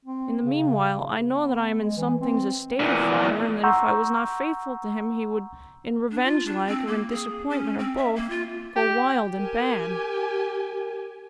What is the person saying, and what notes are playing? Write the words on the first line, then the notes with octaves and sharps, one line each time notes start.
In the meanwhile I know that I am in some things a stay to father, and that if I was not faithful to him he would--in revenge-like, or in disappointment, or both--go wild and bad.'
C4
C#3
B3
G#3
E3
C4
E2 A#2
F#5 A#5 C6 C#6 E6 G6
D4
F4
D4
C4
A#3
G#4
C#4
C4
E5
A#3
F4
G4
G4 A#4 G#5